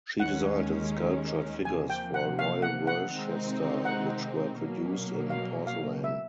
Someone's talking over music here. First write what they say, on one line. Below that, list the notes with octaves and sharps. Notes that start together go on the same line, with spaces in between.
She designed and sculpted figures for Royal Worcester which were produced in porcelain.
D#2 D#3 G#3 C#4 F#5
C3 F3 A#3 G#5
G5
F#5
F5
F#5
F#5
C3 D#3 G#3 C4 D#4
F#5
B2 F#3 A#3
F5
F5
E5